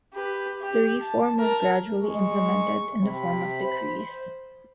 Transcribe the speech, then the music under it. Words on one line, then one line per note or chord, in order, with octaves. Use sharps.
The reform was gradually implemented in the form of decrees.
G4 B4
G4
A5
A#4 A5
G#3 C#6
C3 B5
C5